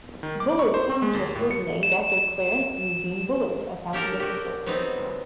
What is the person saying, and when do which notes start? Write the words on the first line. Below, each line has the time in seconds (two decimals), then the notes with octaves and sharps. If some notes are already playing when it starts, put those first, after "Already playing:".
Bullard Township was named after Clarence Eugene Bullard, a county official.
0.23 D#3
0.40 D6
0.59 C#6
0.74 C5
0.89 C4
1.02 G#3
1.14 D#2
1.35 A2
1.51 C#7
1.83 E7
3.93 C#4 G4 A4 A#4
4.20 F#4 G4
4.66 F#3 B3 C4 D#4